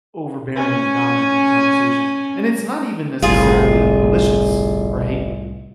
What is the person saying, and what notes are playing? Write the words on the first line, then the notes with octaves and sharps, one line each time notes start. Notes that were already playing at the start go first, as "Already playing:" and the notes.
overbearing and dominant in the conversation, and it's not even, necessarily, malicious, right?
C#4 G#5
G1 C2 A2 F4 G#4